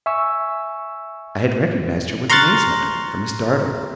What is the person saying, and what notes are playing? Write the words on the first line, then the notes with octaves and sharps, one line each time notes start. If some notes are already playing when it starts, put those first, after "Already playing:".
I had recognized her with amazement, for Miss Dartle.
E5 G#5 C#6 E6
A#5 C6 C#6 F6 F#6 A6